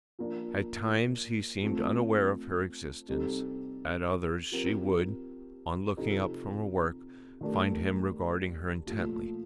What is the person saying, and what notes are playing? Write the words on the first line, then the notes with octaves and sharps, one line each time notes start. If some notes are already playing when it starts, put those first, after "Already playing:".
At times he seemed unaware of her existence; at others she would, on looking up from her work, find him regarding her intently.
F3 A#3 D4
F3 A3 C4
C3 G3 C4 D#4 A4
F3 C4 G4 A#4
C3 F3 C4 D#4 A4
D#3 A3 D4 G4 A#4
A#2 F3 A3